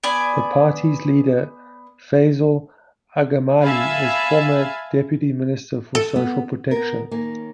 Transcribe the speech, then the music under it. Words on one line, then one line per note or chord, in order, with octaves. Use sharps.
The party's leader Fazail Agamali is a former deputy minister for social protection.
B3 D5 G#5
E5 F5 G#5 A5 B5
A4
B3
B3 A#4
D#3 A#3 C#4